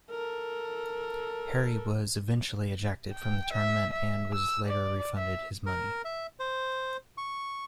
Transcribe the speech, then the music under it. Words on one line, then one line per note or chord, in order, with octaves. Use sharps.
Harry was eventually ejected from the tournament and was later refunded his money.
A4 A#4
G5
E5
E5
E6
D5
E5
A#4
E5
C5
C#6